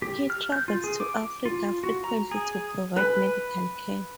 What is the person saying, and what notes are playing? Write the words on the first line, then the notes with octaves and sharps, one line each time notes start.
He travels to Africa frequently to provide medical care.
G4
F6
G6
F4
G#4
D6
F4
F#4
A#5
G#4
B4